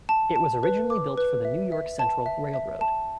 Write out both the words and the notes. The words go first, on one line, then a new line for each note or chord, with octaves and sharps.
It was originally built for the New York Central Railroad.
A5
A5
B4
D6
B4
E5
E5
A5
E5
E5
A5